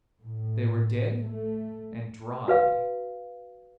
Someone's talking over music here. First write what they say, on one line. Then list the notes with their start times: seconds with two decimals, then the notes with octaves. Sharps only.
They were dead and dry.
0.22 A2
1.24 A3
2.48 F#4 B4 F5